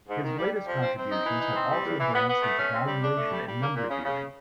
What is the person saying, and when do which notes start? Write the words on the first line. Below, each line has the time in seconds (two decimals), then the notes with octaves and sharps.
His latest contributions have also branched into valuation and number theory.
0.09 G#2
0.24 D#3
0.38 G3
0.53 G3
0.67 F3
0.82 C4
0.97 C4
1.11 D#4
1.26 E3
1.40 D#4
1.55 C4
1.70 G3
1.85 E2
2.00 E3
2.14 B3
2.29 B3
2.43 A3
2.57 C#4
2.73 C4
2.87 G3
3.02 D4
3.17 A3
3.32 G3
3.46 G3
3.61 A#3
3.75 A#2
3.90 C#3
4.05 C#3